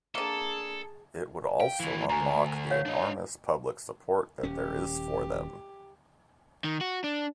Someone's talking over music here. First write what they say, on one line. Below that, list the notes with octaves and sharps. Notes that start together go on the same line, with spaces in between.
It would also unlock the enormous public support that there is for them.
D3 A#3 G#4 A4 A5
F5 G5
D#2 E3
D2 G#5 A#5
C#5 F5 F#5
D4 D#5
D#1 C#4 G4
D#3
F#4
D4